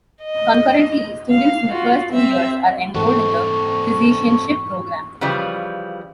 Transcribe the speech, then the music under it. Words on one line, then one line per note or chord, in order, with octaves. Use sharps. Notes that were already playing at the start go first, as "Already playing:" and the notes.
Concurrently, students in the first two years are enrolled in the Physicianship Program.
D#5
F5
F4 F#4
C4 E5
G#2 E3 C4 D4 A4 F#5 C#6
C#3 E3 F3 G3